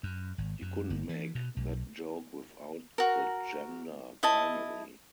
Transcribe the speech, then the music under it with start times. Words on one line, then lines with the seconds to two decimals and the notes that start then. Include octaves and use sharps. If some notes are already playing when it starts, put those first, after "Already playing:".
You couldn’t make that joke without the gender binary.
0.03 F#2
0.38 G#1
0.62 F#2
0.90 G1
1.09 E3
1.35 B2
1.57 B1
2.98 F#4 A#4
4.23 E4 D#5 A5